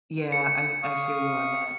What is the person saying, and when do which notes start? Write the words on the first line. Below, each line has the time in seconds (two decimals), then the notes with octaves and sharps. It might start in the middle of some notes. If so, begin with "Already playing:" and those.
Yeah, I I hear you on that.
0.32 C#7
0.83 F5 C#6 D#6